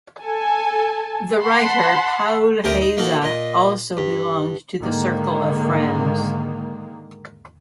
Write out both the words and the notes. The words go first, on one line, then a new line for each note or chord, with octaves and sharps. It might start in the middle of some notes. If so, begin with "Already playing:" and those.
The writer Paul Heyse also belonged to the circle of friends.
A4 G#5 A5
F#5 A5 B5 C6
D2 C3 G4 A#4 G5 D#6
D#4
A#3 D#4 F#4 A4
A#2 D#5
G2
G#2 D3 D#3 G#3 A#3